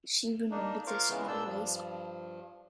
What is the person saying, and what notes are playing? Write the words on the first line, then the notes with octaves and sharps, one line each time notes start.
She remembered this always.
A#3 D4 D#4
F4 A#4 C5 F5 C#6 D6
C#3 E3 G#3 B3
A#2 D4 A5 E6 G6
G2 F3